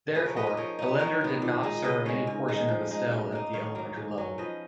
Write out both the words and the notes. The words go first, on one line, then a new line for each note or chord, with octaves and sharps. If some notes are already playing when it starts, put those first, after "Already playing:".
Therefore, Ellender did not serve any portions of Estelle at the elementary level.
F3 G#4 B4
A#4 C#5
B3 D#4 B4 D#5
B4 D#5
F3 A#4 C#5
B3 D#4
D#3 A#4 C#5
F#3 B3
A#2
G#3 D#4
C#3 B4 D#5
G#3 C#4
G#2
D#3 G#3 D#4
F3
G#3 D#4
B2
A#3 D#4
D#3 C#5 F5
F#3 A#3
G#2
F#3 C#4
F3 B4 D#5